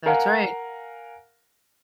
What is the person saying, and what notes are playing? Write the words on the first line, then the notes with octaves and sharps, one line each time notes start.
That's right.
A#4 F5 F#5 G#5 A#5